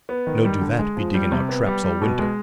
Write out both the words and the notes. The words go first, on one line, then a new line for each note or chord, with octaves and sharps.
No do that, be digging out traps all winter.
B3
D#3
G3
D3
G#3
F3
G3
C3
B3
G3
G3
B2
G#3